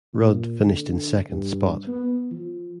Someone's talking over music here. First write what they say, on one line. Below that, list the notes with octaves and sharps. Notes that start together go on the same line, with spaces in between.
Rudd finished in second spot.
A#2
D3
G2
B3
F3